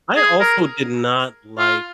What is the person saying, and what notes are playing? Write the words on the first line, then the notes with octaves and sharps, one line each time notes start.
I also did not like
G#4
A#4
F4